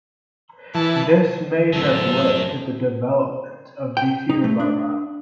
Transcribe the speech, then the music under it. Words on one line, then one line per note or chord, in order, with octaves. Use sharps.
This may have led to the development of dikir barat.
E3 E4 A5
A1 F#2 C4 A4
G5
D#4
A3
D4